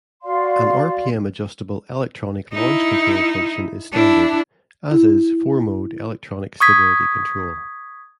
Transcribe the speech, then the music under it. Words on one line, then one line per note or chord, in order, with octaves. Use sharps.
An rpm-adjustable electronic launch-control function is standard, as is four-mode electronic stability control.
F#4 D5 F5 C6
D#4 E4
D4 E4
E4
C#6 D#6 G#6 B6